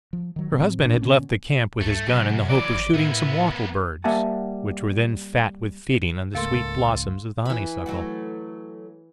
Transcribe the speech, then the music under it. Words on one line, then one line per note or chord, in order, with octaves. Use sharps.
Her husband had left the camp with his gun in the hope of shooting some wattle birds, which were then fat with feeding on the sweet blossoms of the honeysuckle.
F3
D#3 F#3
A2 F#3 C4
A1 A#3 D4
A#2 D3 B3 C#4
D2 A3
F#2 C3
E3 F#3 D5
G#1
A2 A#3 B3 E4
G3 A#3 E5 F#5 G#5 A5
C#2 G#2 C#3 A3 A#3 A4 F5 C6
E3 B5
F#3 A3 F#4